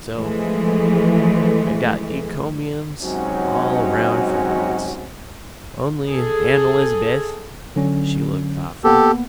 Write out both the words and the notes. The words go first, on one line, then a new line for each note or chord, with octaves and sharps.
So I got encombiums all round for once. Only Aunt Elizabeth--she looked thoughtful.
E3 F3 G#3 A3
C3 F#3 G#3 C#4 D#4 F#4
G#4 A4
D3 F#3 C#4
A#3 B3 G4 A4